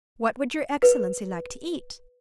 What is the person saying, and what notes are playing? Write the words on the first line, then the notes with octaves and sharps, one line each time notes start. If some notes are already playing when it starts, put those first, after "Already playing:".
"What would your excellency like to eat?"
B4